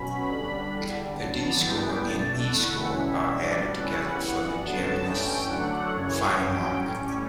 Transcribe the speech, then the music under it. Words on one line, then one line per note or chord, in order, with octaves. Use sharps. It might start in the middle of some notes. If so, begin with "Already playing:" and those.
The D-score and E-score are added together for the gymnast's final mark.
Already playing: B2 F#3 C#4 B5
D3 G3 D4
E2 D3 G3
D3 F#3 B3 D4 A5
G2 E3 G3 B3 E4 G5
B2 A3 D4 A5
E2 D3 A3 E4 F#5
B2 G3 C#4 E4 E5
B2 G3 D4 D5
C#3 G3 C#4 E4 F#5
G2 E3 B3 F#5
D3 F#3 B3 A5
G2 E3 A3 C#4 G5
D3 F#3 A3 D4 F#5
F#2 C#3 E3 C#5
G2 F#3 C#4 G5
A2 G3 C#4